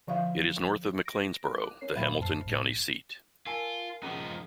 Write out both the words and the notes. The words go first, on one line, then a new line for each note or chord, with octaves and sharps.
It is north of McLeansboro, the Hamilton County seat.
D3 F3 E5 F5
A#6 D7
D6 F#6
C#4 A#4 C#5 C7
A#2 F#3 E5 F5 B5 C7
F#2 C5 A5 F6 C7
G#1 A2
F4 A#4 G#5 A5
F3 C#4 D#4 F#4 G#4